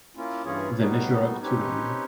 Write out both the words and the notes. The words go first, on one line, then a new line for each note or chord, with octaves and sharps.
They measure up to long.
A#3 C#4 E4 F4
G2 E3 C#4 F4 G#4 C#5
A2 G3 B3 D#4 F#4
C4 C#4 D#4 G4 B4 C#5